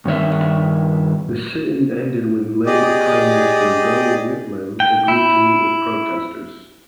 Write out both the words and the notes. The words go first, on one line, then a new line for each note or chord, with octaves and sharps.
The sit-in ended when Labor Prime Minister Gough Whitlam agreed to meet with protesters.
G2 D#3 C#5 E5
G4 G#4 D5 D#5
G5
E4